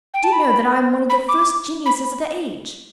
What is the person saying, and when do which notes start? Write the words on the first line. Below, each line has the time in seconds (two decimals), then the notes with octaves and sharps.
Do you know that I am one of the first geniuses of the age?
0.14 G5
0.24 A5
0.33 B5
1.10 B5
1.29 D6
1.86 B5